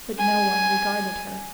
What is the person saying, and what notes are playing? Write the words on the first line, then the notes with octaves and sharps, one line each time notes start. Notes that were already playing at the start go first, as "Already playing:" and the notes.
But no one regarded her.
G#5